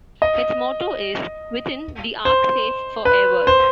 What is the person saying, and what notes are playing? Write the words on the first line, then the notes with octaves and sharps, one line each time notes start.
Its motto is "Within The Ark Safe For Ever".
D#5
C5
B4
C5